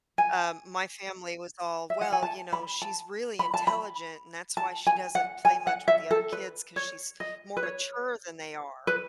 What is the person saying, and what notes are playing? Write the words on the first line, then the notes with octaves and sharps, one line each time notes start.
Um, my family was all, "Well, you know, she's really intelligent and that's why she doesn't play much with the other kids 'cause she's more mature than they are."
G#5
E5
F#5
G#5
A5
B5
A5
B5
A5
B5
A5
G#5
F#5
G#5
F#5
E5
A4
B4
C#5
D#5
B4
C#5
B4